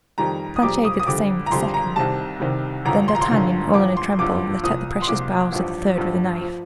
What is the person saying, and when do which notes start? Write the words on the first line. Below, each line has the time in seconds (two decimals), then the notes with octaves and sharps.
Planchet did the same with the second; then D'Artagnan, all in a tremble, let out the precious bowels of the third with a knife.
0.18 F2 D#3 G3 A#5
0.56 D#6
0.62 F2 D#3 G3 D6
0.85 D#6
0.99 D#6
1.07 F2 D3 G3 D6
1.46 A#5
1.51 F2 D3 G3 C6
1.74 A#5
1.96 C2 C3 D#3 G3 A5
2.40 C2 C3 D#3 G3
2.85 A1 G2 D3 F3 A#5
3.08 C6
3.15 A#5
3.21 C6
3.30 A1 G2 D3 F3
3.74 A1 G2 F3 D6
3.97 C6
4.19 A1 G2 F3 D6
4.64 C2 A#2 F3 D#6
5.02 C6
5.08 C2 A#2 F3 D6
5.52 A1 G2 F3
5.97 A1 G2 F3
6.41 F3